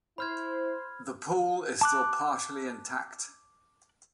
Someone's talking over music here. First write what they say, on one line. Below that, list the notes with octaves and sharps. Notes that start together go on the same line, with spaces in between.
The pool is still partially intact.
E4 C5 B5 F6 G#6
A5 D6 F#6